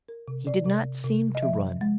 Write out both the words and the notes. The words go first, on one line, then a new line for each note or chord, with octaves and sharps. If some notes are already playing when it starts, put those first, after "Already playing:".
He did not seem to run.
A#4
C3
D5
C3
C3
D#5
F3 E5
G#3